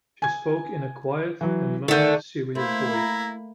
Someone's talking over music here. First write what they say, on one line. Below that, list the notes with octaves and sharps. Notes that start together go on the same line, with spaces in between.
She spoke in a quiet and most serious voice.
G#5 G#6
E3 F#3
D3 D#3 A3 G6
A3 A#3 E4 C5 B5
A#5